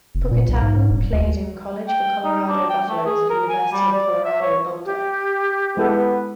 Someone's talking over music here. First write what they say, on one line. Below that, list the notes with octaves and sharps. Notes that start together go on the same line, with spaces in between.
Puketapu played in college for Colorado Buffaloes of University of Colorado Boulder.
F1
A#2
B1
G#2
G#2
D#1
D2
G5
D#4
D4
G5
A3
G#4
A#4
G#5
G3
D5
E5
C#5
G4
G#3 B3 E4 A4